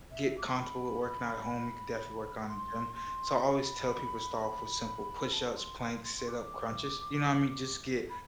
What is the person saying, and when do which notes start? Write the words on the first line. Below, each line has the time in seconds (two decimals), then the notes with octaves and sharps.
get comfortable with working out at home, you could definitely work on the gym. So, I always tell people to start off with simple push-ups, planks, sit-up, crunches, you know what I mean? Just get
0.11 E5
0.38 D6
0.48 C6
0.59 B5
2.39 B5
2.48 C6
2.95 C6
3.43 B5
5.33 A5
5.56 C6
5.80 C6
6.04 C6
6.17 C6
6.28 D6
8.10 B5